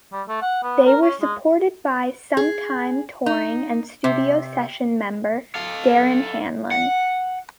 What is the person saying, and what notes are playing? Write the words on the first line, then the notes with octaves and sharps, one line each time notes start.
They were supported by sometime touring and studio session member, Darren Hanlon.
G3
A3
F#5
B3
A#4
C#4
G#3
G#4
D#4
C3
A4 F5
F#5